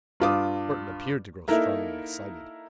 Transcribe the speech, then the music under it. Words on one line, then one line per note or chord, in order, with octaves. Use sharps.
Burton appeared to grow strongly excited.
G2 F4 D6 D#6
A#3 D#4 E4 A4 A#4 E5